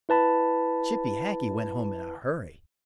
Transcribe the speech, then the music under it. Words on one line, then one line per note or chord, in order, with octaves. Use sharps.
Chippy Hackee went home in a hurry!
E4 B4 A5 B5